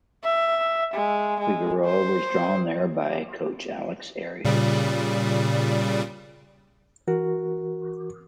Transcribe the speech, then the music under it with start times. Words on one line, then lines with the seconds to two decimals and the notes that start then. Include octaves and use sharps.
Figueroa was drawn there by coach Alex Arias.
0.24 E5
0.93 G#3
1.40 G#3
1.85 C5
4.45 A#2 C#3 G3
7.07 E3 F#4 A#4